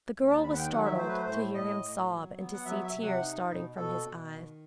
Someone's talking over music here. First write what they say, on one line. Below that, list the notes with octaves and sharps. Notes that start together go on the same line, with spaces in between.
The girl was startled to hear him sob and to see tears starting from his eyes.
D#2
A5
D#3 B5
F#5
G5
F#3 F#5
E5
A3 C5
B4
C5
A2 C5
A2 D#5
A2
F#3
B3
F#5
F#3 E5
E5
C3
F#5
D#4
B2
B2 A4
B2
D#3